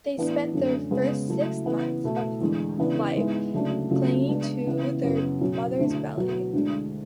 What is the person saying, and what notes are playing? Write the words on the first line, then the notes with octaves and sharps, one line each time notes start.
They spend the first six months of life clinging to their mother's belly.
A2 E3 B3 D4
F#2 D3 A3 C#4
C#3 G#3 B3
C#3 F#3 A3 E4
C#3 E3 B3
B2 A3 E4
E2 D3 G#3
C#3 E3 B3 D4
G#2 G#3 B3 E4
D2 C#3 F#3 A3 D4
C#2 C#3 F#3 A3
C#3 G#3 B3 D4
C#3 E3 B3 E4
F#2 C#3 F#3 B3
B2 F#3 C#4 E4
D2 D3 A3 E4
B2 F#3 B3
D2 D3 G#3